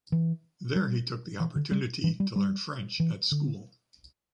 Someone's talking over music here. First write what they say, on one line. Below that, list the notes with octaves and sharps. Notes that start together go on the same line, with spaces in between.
There he took the opportunity to learn French at school.
E3
G3
E3
D3
G3
E3
G3
G3
E3
D3